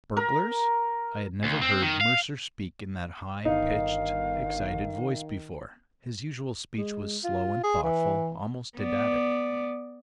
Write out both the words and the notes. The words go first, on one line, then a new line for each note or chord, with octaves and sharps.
"Burglars?" I had never heard Mercer speak in that high-pitched, excited voice before; his usual speech was slow and thoughtful, almost didactic.
A#4
D2
C4
D#3
F5
G1 D#3 D#4 F5
G#3
F4
G#4
E3
B3 D5